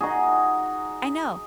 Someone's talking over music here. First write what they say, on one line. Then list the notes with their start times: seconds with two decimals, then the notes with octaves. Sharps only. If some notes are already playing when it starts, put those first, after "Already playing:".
I know.
0.01 D#4 F#4 G#4